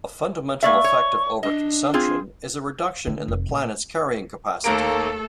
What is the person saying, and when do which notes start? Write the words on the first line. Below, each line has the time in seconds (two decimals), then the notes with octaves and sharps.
A fundamental effect of overconsumption is a reduction in the planet's carrying capacity.
0.63 A#3 D5 E5 C#6
0.84 C#5
1.43 D4 D#5
1.94 C4 F4 G#4
3.07 D3
3.28 F1
3.49 A#2
4.64 D#2 A3 A#3 A4 A#5 D7